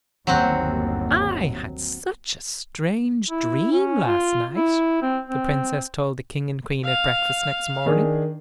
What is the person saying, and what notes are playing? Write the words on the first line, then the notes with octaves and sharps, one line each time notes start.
"I had such a strange dream last night," the Princess told the King and Queen at breakfast next morning.
G1 D#2 F#3 C4 F#4
E4
C#4
F4
E4
C4
C4
F5
D#3 D4 G#4